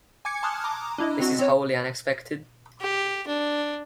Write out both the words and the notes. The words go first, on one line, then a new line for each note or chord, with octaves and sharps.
This is wholly unexpected.
G#5 D6 G#6 C#7
A5 C6 D#6 F6 F#6 G#6
A#5 D6 D#6
D4 E4 D#5
C4 F#4
C4 C#5
G4
D4